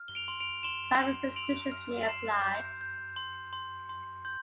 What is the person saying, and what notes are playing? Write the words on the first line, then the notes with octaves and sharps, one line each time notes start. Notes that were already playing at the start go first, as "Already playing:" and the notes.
Climbing restrictions may apply.
Already playing: F6
G7
D7 F7
C6
D7 F7
C6 E7 G7
C6
C6 D7 F7
F6
C6 C7 E7
G6
G6
C6
C6
C6
C6 G6